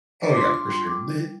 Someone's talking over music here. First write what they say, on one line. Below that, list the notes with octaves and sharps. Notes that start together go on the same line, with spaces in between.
Oh, yeah, for sure. The
D4
D6
C6
F4 D6
C6
G3
G3 D6